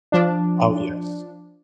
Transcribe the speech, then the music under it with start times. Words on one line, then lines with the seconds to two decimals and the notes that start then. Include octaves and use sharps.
Oh, yes.
0.12 F3 D4